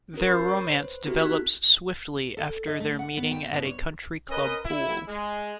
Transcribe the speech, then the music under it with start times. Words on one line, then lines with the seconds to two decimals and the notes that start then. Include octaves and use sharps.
Their romance develops swiftly after their meeting at a country-club pool.
0.14 C#4 F#4 A#4
0.27 B5 C#6 E6 G6 A6 C7
0.48 C#5
0.72 B4 C5
1.06 A#3 C4 E4 F#4 G4 A4
1.19 D#4 F#6 G#6 B6
2.37 A4
2.67 D#5
2.80 A3
2.99 F#5
3.17 B3
3.31 G5
3.52 B2
3.65 C#5
4.29 C#4 A#4 B4 D#5
4.65 E4
5.08 G#3